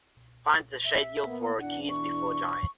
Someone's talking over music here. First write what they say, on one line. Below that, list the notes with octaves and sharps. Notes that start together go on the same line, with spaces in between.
Find the schedule for A Kiss Before Dying.
E5
A#3 B3
E2 E3 D4 F#5
C#6